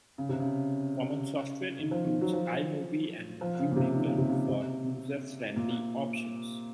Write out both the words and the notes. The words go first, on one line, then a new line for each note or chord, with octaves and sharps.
Common software includes iMovie and Movie Maker for user-friendly options.
C#3
C3
C#3
D#3
F3
D#3
F#3
F3
F3
C#3
A#2
C3
D#3
C#3
C3
C#3
C3
A#2